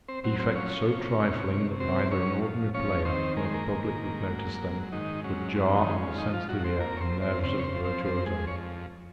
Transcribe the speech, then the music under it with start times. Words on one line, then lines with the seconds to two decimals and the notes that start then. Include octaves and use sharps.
Defects so trifling that neither an ordinary player nor the public would notice them, would jar on the sensitive ear and nerves of the virtuoso.
0.08 C4 C5
0.23 F#3 C4 C5
0.39 C4 C5
0.54 F3 C#4 C#5
0.86 C3
1.18 C3
1.49 C3
1.80 F#2 C4 C5
2.11 F#2 C#4 C#5
2.42 F3
2.74 F3 C#4 C#5
3.05 D#3 C4 C5
3.37 G#3 A#4
3.45 C5
3.54 A#3 A#4
3.68 D#3
3.98 G#2
4.31 F#3
4.61 G#2
4.92 G#2 D#3 D#4
5.24 F#3 C#4
5.55 F2 C4
5.76 D#3 D#4
5.87 G#3 C4
5.97 C#4
6.08 F4
6.18 F2 D#3 D#4
6.33 F3 F4
6.48 F2 F#3 F#4
6.64 C4 C5
6.80 F2 A#3 A#4
6.97 C#5
7.01 C4 C5
7.11 F2
7.22 C4 C5
7.43 C#3 C4 C5
7.59 C#5
7.64 C4 C5
7.74 F3
7.85 C4 C5
8.05 F2 C4 C5
8.26 G#3 G#4
8.36 F2
8.47 C#5